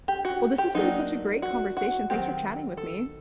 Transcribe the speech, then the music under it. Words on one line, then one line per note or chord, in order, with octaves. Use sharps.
Well, this has been such a great conversation. Thanks for chatting with me.
G4
F#4
G4
F#3 A#3 D4 D#4
F#4
F#4
D#3 F#3 C4 G4
A4